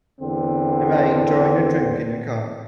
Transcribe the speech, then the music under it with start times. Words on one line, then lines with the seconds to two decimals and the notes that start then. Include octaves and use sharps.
A man enjoying a drink in a cup.
0.21 E2 D3 C4